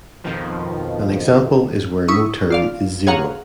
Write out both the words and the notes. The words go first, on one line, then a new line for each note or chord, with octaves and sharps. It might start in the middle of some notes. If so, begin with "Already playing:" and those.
An example is where no term is zero.
F2 B2 D#3 F3
E4 C#6 D#6 E6
F4 D5 F5
G#4 C#5 F5 F#5 A#5